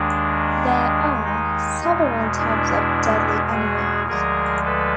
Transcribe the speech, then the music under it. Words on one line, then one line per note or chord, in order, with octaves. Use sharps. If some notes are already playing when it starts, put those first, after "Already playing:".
There are several types of deadly enemies.
Already playing: D#2 D#3 G#3 D4
D#4
E2 B2 G#3
D4 E4
F#4 G#4
D2 D3 F3 G#3 G#4 A#4
A4 B4